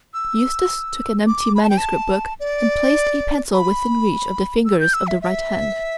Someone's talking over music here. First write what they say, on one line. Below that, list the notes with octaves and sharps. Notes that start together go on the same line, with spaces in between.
Eustace took an empty manuscript book and placed a pencil within reach of the fingers of the right hand.
E6
D6
B5
A5
G5
A5
D5
B5
E6
G6
E6
E5
E5